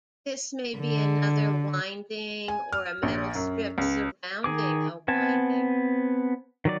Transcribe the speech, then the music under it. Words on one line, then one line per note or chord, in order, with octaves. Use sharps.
This may be another winding or a metal strip surrounding a winding.
D3
G#5
F6
A#1
F#2
C#2
D#3 G#4 D6
B3 C4 G#5 A5
D#3 F#3 D5